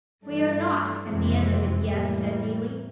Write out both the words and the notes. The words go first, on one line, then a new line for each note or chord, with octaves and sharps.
"We are not at the end of it yet," said Neelie.
G2 E3 A3 D4
F2 C3 E3 G#3 C4
A2 E3 G3 A#3